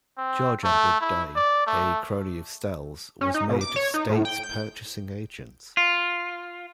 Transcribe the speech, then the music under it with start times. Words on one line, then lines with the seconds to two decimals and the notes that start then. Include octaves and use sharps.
George Edward Day, a crony of Stelle's, was made state purchasing agent.
0.18 C4
0.64 A3
1.01 E4
1.36 D5
1.67 A3
3.21 C#4
3.34 D#4
3.49 B2
3.61 D6
3.76 C#5
3.94 D#4
4.09 A2
4.25 G5
4.43 G6
5.77 F4